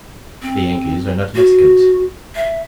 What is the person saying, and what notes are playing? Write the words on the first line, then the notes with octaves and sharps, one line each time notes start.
The Yankees are not Mexicans.
C4
F#4
E5